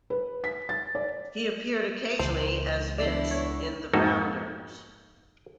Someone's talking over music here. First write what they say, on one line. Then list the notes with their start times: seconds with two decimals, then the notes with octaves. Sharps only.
He appeared occasionally as "Vince" in "The Rounders".
0.10 B4
0.44 B6
0.69 A6
0.95 D5
2.19 C#2 E3 C5
2.98 E2 D4 E4 D5 E6 C7
3.31 C#5
3.94 F2 G#2 A#3 D#4 F#4 A4